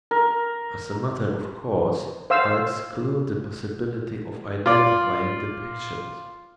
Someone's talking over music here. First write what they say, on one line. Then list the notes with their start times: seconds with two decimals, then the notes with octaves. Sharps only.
As a matter of course, I exclude the possibility of identifying the patient.
0.11 A#4
2.30 C5 F5 E6
4.66 F4 D5